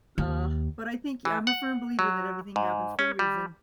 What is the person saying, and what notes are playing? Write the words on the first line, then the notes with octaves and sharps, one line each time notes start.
Aw, but I think y I'm a firm believer that everything happens for a reason.
D#2
E3
F#5
F#3
G#2
C#4
G3